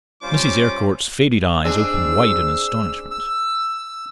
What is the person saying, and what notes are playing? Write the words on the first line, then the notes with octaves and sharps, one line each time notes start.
Mrs. Eyrecourt's faded eyes opened wide in astonishment.
G3 C#4 F4 C5 D6
C4 D4 G#4 E6
E6